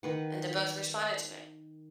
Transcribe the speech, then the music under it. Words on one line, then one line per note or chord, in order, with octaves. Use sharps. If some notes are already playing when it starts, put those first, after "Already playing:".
and they both responded to me
D#3 B4 F#5